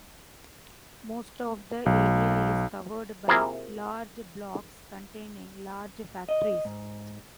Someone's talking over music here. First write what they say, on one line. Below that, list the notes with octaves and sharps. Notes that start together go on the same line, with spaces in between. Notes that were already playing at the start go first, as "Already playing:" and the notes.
Most of the area is covered by large blocks containing large factories.
B1
C3 A#3 E4 F4 G#4 A#4
D#5
G#2